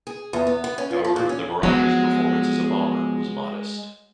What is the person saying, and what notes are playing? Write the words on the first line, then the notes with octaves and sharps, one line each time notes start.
However, the Mirage's performance as a bomber was modest.
G#4
E2
B3
B3
C#4
F4
F3
A#2
C#4
F3 F#3 G#3 B3